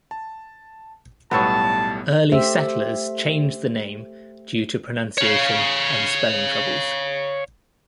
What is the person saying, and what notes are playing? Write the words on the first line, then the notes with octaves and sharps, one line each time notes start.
Early settlers changed the name due to pronunciation and spelling troubles.
A5
B1 A2 G3 B3 A4 C#5 A5
A3 G4 C5 E5
C#5 F5